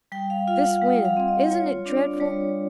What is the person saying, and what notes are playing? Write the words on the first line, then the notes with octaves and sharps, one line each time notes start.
This wind--isn't it dreadful?
G3 G5
F5
F4 F5
F#5
G3
F5
C4
D#5
F4 C#5
D4 D5
G3 C#5